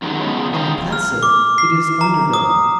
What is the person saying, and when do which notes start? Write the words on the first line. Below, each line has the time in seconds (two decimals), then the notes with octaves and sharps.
On the passive, it is undergoing.
0.02 F#2 D#3 F#3 G#3
0.19 C#3 G#3 B3
0.54 G#4 F5 G5 A#5
0.92 F6
1.23 D6
1.58 C7
2.01 A#5
2.33 D#6